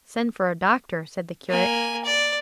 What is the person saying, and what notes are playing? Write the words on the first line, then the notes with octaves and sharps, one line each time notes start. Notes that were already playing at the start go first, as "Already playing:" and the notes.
'Send for a doctor,' said the curate.
A#3 G#5
D5